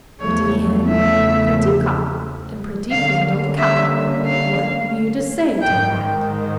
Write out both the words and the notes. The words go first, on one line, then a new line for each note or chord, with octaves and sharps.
"Pretty Hen, pretty Cock, And pretty brindled Cow, What have you to say to that?"
E2 C#3 F3 A3 C#5
E5
D3 G3 A#3 C#4 F5
E5
F5
G#2 D#3 G#3 G5